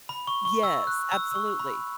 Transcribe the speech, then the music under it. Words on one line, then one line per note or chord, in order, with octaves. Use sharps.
Yes, absolutely.
B5
C#6
C#6
E6
F#6
E6
E6
C#6
B5